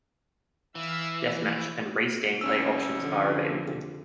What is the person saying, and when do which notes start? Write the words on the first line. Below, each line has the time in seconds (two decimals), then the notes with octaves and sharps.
Deathmatch and race gameplay options are available.
0.75 E3 E5 F5 E6
1.26 F3
2.41 C2 C#4 E6
2.99 F2 D3